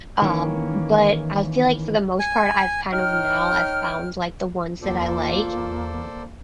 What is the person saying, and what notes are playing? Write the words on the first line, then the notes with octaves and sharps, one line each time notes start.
um, but I feel like for the most part I've kind of now I've found, like, the ones that I like.
D#3 E3 A#3 C#4
G#5
D#4 C#5 G5 F6
E2 A#3 F4 A4 C5 D5